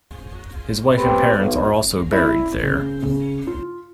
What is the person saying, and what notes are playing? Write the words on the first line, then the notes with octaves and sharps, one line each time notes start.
His wife and parents are also buried there.
A3 B3 C4 G4 B4
B1
E4
C#3
C#3
F4